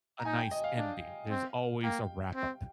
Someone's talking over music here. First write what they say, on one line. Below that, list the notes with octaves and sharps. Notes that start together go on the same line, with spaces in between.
a nice ending, there's always a wrap-up,
A#5
D#4 G#5
G5
D#5
F5
D4
C4
A#3 G5
C4